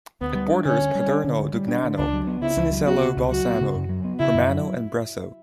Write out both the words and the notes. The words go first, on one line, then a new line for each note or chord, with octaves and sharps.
It borders Paderno Dugnano, Cinisello Balsamo, Cormano and Bresso.
D2 B3
G3
D4
D3 C#4
D2
G3
D4
D3
D2
G3
D4
D3
C#2 D4
F#3
B3
C#3 E4
C#2
F#3
B3 F#4
C#3
C#2
F#3 F#4
B3
C#3
F#2
F#3
B3
C#3 E4
F#2
F#3